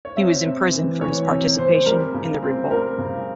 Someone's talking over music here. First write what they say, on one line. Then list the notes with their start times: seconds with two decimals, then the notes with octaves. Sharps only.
He was imprisoned for his participation in the revolt.
0.05 C#5
0.17 C4 E5
0.46 C3
0.73 E3
1.01 E3 C#5
1.30 C3
1.58 C3 C5
1.86 G3 A#4
2.14 C#3
2.42 C4
2.71 G3 A#4
2.98 C#3